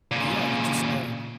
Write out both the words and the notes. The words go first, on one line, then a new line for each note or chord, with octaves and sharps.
Yeah, we just, uh
A#2 C#3